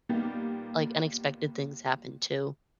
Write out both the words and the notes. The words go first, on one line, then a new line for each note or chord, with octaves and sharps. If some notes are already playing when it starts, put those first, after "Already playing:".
like, unexpected things happen, too.
A#2 G3 A#3 B3 D#4 G4